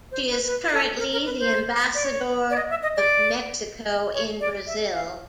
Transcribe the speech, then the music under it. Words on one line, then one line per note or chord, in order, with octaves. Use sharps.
She is currently the ambassador of Mexico in Brazil.
C5
B4
B4
A4
A#4
A#4
B4
C5
D5
C#5
D5
D#5
E5
D#5
D5
C#5
D5
E5
F5